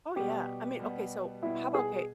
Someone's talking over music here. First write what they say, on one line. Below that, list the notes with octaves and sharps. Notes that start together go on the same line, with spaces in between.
Oh, yeah. I mean, okay. So how about, 'kay
B2 G3 B3 G4
B2 G3 B3
B2 G3 B3 E4
G#4